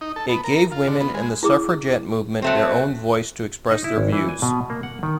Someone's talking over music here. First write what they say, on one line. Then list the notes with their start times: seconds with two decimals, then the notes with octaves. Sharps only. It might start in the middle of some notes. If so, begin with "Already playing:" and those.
It gave women and the suffragette movement their own voice to express their views.
0.01 D#4
0.16 A4
0.29 B3
0.44 A#4
0.56 A#4
0.72 F4
0.88 D3
1.01 B3
1.14 G#3
1.43 E4 G#4 D6
2.42 F#3 A3 C4
3.71 D#4
3.84 E4
3.98 G#1
4.12 E3
4.29 G#5
4.42 B2
4.70 A#3
4.83 F#5
5.03 D#3